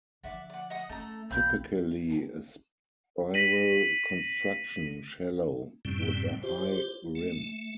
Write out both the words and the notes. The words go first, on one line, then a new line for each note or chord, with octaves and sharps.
Typically of spiral construction, shallow, with a high rim.
D3 F3 D5 E5 F#5
D5 F#5
D#5 F#5 D#6
A3 C#4 A4 A#5
B1 E2 C4 F5 B5 G6
A#6 B6 D#7 F#7
F#2 A2 C3 G3 C4
F4 G4 C5
A3